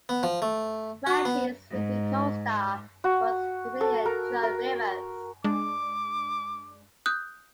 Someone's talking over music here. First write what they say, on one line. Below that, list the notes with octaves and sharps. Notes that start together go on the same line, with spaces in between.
Franchi's frequent co-star was comedian Joan Rivers.
B3
F3
A3
F#4
B3
G#2
F#4
A4
A#4
A#4
G#3 D4 D6
D#6 F#6 G6